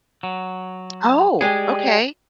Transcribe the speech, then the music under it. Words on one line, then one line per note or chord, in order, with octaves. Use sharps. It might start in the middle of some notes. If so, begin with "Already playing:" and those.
Oh, okay.
F#3
G3 G#3 G4 G#4